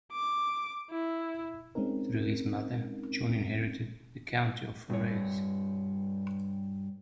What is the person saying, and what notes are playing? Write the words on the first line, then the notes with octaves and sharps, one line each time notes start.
Through his mother, John inherited the County of Forez.
D6
E4
G#3 C4 C#4 D#4 A#4
G2 C#5